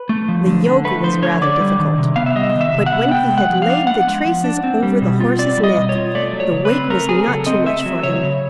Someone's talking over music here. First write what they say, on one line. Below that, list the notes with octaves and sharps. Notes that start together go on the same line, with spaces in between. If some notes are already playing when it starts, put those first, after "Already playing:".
The yoke was rather difficult; but when he had laid the traces over the horse's neck, the weight was not too much for him.
Already playing: B4
A3
F3
D3
D3
A3 B4
F3 C5
D3 C#5
D3 D5
G3
D#3
C3
B3 F5
E5
G3 D#5
D#3
E5
C3
F#5
B3
B3 G5
G#3
F#5
F3
F5
D4
B3 F#5
G#3
F3
D4
C4
G3
B2
F4
C4 D5
G3
D#5
B2
C#5
F4
A3 D5
F#3
C#5
C#3
B4
C4
A3 A#4
F#3 G#4
A#4
C#3 A4
C4 D#5
A3 E5
F#3
C#3 C#5
C#3